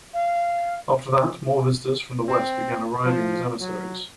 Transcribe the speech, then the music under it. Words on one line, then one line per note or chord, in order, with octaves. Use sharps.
After that, more visitors from the west began arriving as emissaries.
F5
C4
F3
F#3